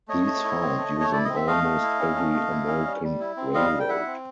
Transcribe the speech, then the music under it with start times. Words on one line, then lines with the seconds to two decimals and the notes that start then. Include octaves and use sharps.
These found use on almost every American railroad.
0.08 A3 C#5 D#5
0.27 A3
0.44 E4
0.61 C4
0.78 A3
0.95 A3
1.00 C#5
1.12 E4 D5
1.24 C4 D#5
1.36 E5
1.47 A3 D#5 F5
1.64 A3
1.82 E4
1.99 C#4
2.16 A3
2.33 A3
2.51 E4
2.68 C#4
2.85 G3
3.03 G3
3.20 E4
3.37 C4
3.54 G3 D#5 F5
3.72 G3
3.80 G5
3.89 E4 E5 F#5
4.06 C4